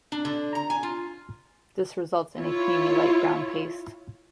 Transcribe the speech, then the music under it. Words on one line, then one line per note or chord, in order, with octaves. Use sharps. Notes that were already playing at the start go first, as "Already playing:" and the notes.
This results in a creamy, light brown paste.
D4
D3
A#5
G#5
F4
E4 F4 C#5